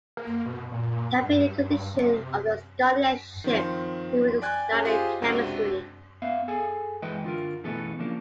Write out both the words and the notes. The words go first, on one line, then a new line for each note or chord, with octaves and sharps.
It had been a condition of the scholarship that he would study chemistry.
A#3
B2
A#2
G2
C3
D#3 F3 C4
D5 G5 G#5 F#6 G#6
C#4 G#4 C#5 D#5
F4 G4 G#4 C5 D#5
C#2 C3 D4 F#4 D#7
B3 E5 F5
G#4 A4 G#5
E3 G#3 B4 D#5 G5
D3 F4 A#4
C#2 B2 E3 A3 B3 A4
C#3 F3 A#3 D4